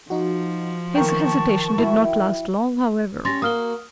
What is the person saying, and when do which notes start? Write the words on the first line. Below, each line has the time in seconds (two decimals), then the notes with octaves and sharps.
His hesitation did not last long, however.
0.10 F3 D#4 F#4
0.95 D#3 A#4 G5 A5 C#6
1.78 E4 F#4
3.25 C#4 G4 C6 A6 A#6
3.42 A#3 F#4 D#6 F6 G7